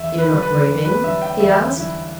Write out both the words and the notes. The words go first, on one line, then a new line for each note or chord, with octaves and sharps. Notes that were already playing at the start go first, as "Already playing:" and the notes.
"You're not grieving?" he asked.
Already playing: E2 E5
B4
D3 G3
B4
E2
B4
D3 G3 E5
G5
E2 E5
D3 G3 E4